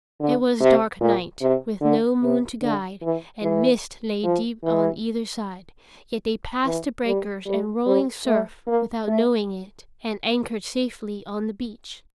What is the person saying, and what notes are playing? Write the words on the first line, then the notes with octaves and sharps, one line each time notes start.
It was dark night, with no moon to guide, and mist lay deep on either side, yet they passed the breakers and rolling surf without knowing it, and anchored safely on the beach.
D3
C3
A#2
C3
D3
C3
D3
E3
E3
F3
E3
E3
G3
G3
G3
A3
A#3
A3